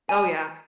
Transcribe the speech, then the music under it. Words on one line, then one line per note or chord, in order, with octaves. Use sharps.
Oh, yeah.
G#5